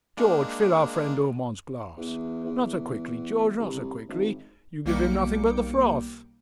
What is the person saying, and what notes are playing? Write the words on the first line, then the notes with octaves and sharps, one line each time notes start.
George, fill our friend Urmand's glass; not so quickly, George, not so quickly; you give him nothing but the froth.
G#3 A#3 D4
E2
E2
C2
G#1
B1 G3 A#3 G5 D6 C#7